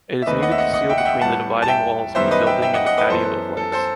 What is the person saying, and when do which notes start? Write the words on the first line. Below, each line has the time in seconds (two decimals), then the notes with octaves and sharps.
It is needed to seal between the dividing walls of the building and the patio of lights.
0.22 E5
0.26 D#2 D#3 A3 C4 B4 D#5
0.42 D#5 F#5
0.51 E5
0.58 D#5 F#5
0.73 D#5 F#5
0.89 E5 G5
0.98 F#5
1.05 E5 G5
1.21 A2 G3 B3 F#5 A5
1.62 A5
1.68 E5 G5
2.15 F#2 D#3 G3 B3 C5 E5
2.31 B4 D#5
2.47 E5 G5
2.62 E5 G5
2.74 D#5 F#5
2.86 D#5 F#5
2.98 B4 D#5
3.10 F#2 E3 B3 A4 C5
3.57 A4
3.72 A4 C5